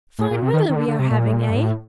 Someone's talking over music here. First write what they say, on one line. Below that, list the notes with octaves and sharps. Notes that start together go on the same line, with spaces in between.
Fine weather we are having, eh?
A2
A#2
C3
D#3
D#3
D3
D3
C3
A#2
A2
A#2
G2
A2